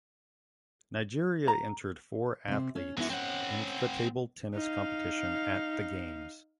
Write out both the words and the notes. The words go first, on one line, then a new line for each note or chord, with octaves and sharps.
Nigeria entered four athletes into the table tennis competition at the Games.
A#5
C3 C4
C#4
F#2 F#3 B3 E4
C4 C#4 F#5
D#4 F5